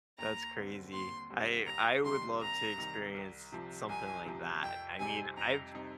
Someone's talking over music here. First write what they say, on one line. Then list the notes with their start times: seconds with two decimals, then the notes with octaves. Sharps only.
That's crazy. I I would love to experience something like that. I mean, I've
0.18 D#2 A#5
0.56 D3 G3 C4
0.93 D#2 C6
1.30 D3 G3 C4
1.66 C2 A#5
2.04 C3 D#3 G3 C6
2.41 C2 A#5
2.78 C3 D#3 G3
3.15 C2
3.52 C3 F3
3.89 C2 G#5
4.26 C3 F3
4.63 F2 G5
5.00 C3 G3 C4 D#4 G#5
5.37 F2 A#5
5.74 C3 G3 C4 D#4